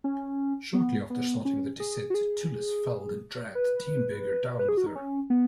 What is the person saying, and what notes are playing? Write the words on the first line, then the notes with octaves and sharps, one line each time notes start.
Shortly after starting their descent, Tullis fell and dragged Diemberger down with her.
C#4
B3
B3
C#4
G#4
F#4
G#4
B4
B4
G#4
F#4
D#4
C#4
B3